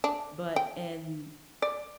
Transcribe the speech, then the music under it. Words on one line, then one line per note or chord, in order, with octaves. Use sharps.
but in
D4
G5
D5